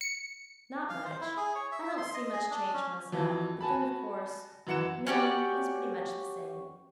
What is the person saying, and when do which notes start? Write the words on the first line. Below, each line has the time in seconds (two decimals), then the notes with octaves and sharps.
'Not much; I don't see much change, myself, but then of course-- No, he's pretty much the same.'
0.01 C#7
0.89 F5
1.05 C5
1.21 E4
1.37 G#4
1.55 C#5
1.72 E5
1.85 E5
1.97 C6
2.14 D#5
2.32 G#4
2.50 D4
2.73 C#4
3.12 F2 E3 F#3
3.61 F#4 G#5 A5 B5
4.67 F#2 E3 F#5 C#7 E7
5.07 C#4 F#4 G4 D5